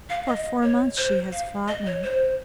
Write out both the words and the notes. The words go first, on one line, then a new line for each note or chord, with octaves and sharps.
For four months she has fought me.
F5
D#5
C#5
C5
F5
D#5
C#5
C5